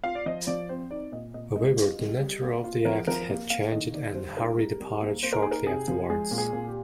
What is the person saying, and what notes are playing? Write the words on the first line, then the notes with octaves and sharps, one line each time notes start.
However, the nature of the act had changed and Harvey departed shortly afterwards.
F4 F5
D5
F3 D#5
F3 D5
C4 C5
D#4 D5
A#2 D#5
A#2 D#5
G#3 D#5
F4
G3
G3
A#3
F4
F3 A#4
F3 A#4
A#3
A#3 F5
D#3 D#5
D#3 D5
G3 C5
D#4 A#4
G3
G3
A#3
A#3 C5
A#4
D#4 G#4
A#4
C3 G#4
F3
G#3 G#4
A#2
G#4
A#2
G4